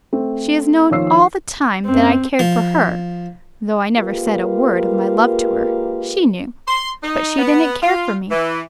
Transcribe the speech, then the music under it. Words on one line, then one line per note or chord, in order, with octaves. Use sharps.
She has known all the time that I cared for her--though I never said a word of my love to her--she knew, but she didn't care for me.
A3 C4
D#2 F3 C#5 E6 C7
F#2 C4
F3
G#3 A#3 F4 G4 A#4 B4
C6
D#4
B3
F4
E3